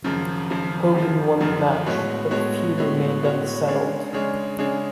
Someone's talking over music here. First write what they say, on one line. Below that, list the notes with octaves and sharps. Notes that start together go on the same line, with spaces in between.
Hogan won the match, but the feud remained unsettled.
G#1 F#2 C#3 F3
G#1 F#2 C#3 F3
G#1 F#2 C#3 F3
G#1 F#2 C#3 F3
A2 G#3 B3 F#4 C#5
A2 G#3 B3 F#4 C#5
A2 G#3 B3 F#4 C#5
A2 G#3 B3 F#4 C#5
C#3 G#3 D4 G#4 C#5
C#3 G#3 D4 G#4 C#5
C#3 G#3 D4 G#4 C#5